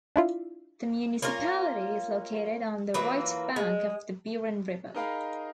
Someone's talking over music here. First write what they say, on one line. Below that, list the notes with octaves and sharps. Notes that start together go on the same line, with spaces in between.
The municipality is located on the right bank of the Buron river.
D4 E4 F4
A#3 C#4 F4 A#4
E3 F#3 A#3 F4
G#3
D#4 G#4 A#4 D#5 F5 B5